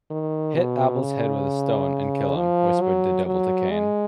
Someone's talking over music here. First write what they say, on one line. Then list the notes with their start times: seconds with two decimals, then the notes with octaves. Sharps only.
"Hit Abel's head with a stone and kill him", whispered the devil to Cain.
0.10 D#3
0.55 B2
1.01 C#3
2.36 F3
2.81 F#3
3.26 F#3
3.71 G#3